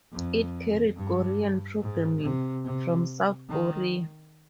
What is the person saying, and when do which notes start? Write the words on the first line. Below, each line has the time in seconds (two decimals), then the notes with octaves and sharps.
It carried Korean programming from South Korea.
0.12 F2
0.96 G2
1.81 G#2
2.22 C3
2.64 C3
3.49 D#3